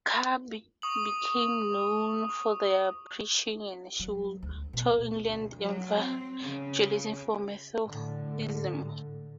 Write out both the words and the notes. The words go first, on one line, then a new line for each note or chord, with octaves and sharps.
Carr became known for her preaching and she would tour England evangelizing for Methodism.
C#6 D#6 F#7
F#3
D2
B2
D2
F#3
C4
C#3
A2 D3